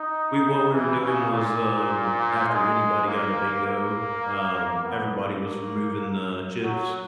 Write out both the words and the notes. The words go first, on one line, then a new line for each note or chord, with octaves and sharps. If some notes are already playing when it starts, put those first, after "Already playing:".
we what we were doing was, um, after anybody got a bingo, um, everybody was removing the chips,
Already playing: D#4
E3
C#3
A#2
G#3
A#3
A#3
B3
A#3
F#3